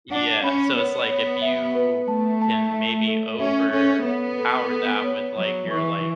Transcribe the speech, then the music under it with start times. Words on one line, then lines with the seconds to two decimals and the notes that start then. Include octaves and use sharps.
Yeah, so it's like, if you can maybe overpower that with, like, your, like,
0.11 D4 F#5
0.43 C#4 B5
0.76 B3 C#5
1.10 C#5
1.42 E5
1.75 B4
2.08 A3 A5
2.42 A5
2.74 E5
3.08 A4
3.40 C#4 E5
3.73 C#4 A4
4.06 B3 C#5
4.39 A4
4.72 A4
5.04 C#5
5.37 F#3 C#5
5.70 E3 C#6